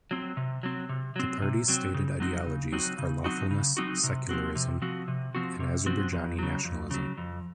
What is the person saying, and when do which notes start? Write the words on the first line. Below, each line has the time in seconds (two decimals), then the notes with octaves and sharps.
The party's stated ideologies are lawfulness, secularism, and Azerbaijani nationalism.
0.11 F#3 C4
0.37 C3
0.63 F#3 C4
0.89 C3
1.16 F#3 C4
1.42 C3
1.68 F#3 C4
1.94 C#3
2.20 F#3 C4 D#4 F#4
2.46 C#3
2.72 F#3 C4 D#4 F#4
2.99 C#3
3.24 F#3 C4 D#4 F#4
3.51 C#3
3.77 F#3 C4 D#4 F#4
4.04 C3
4.29 F3 C4 F#4
4.55 C3
4.82 F3 C4 F#4
5.08 C3
5.35 F3 C4 F#4
5.60 C3
5.86 F3 C4 F#4
6.13 F2
6.39 C#3 F#3
6.65 F2
6.91 C#3 F#3
7.17 F2